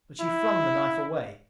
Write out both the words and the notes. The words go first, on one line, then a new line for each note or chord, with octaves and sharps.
But she flung the knife away.
E4